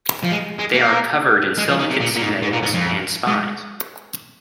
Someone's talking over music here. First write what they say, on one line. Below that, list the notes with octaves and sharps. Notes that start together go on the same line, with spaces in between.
They are covered in silicate scales and spines.
F3
G#3
G#3
A#3
G#3
F3
D#3
C3
A#2
A#2
G#2
G#2
A#2
G#2
F2
G#2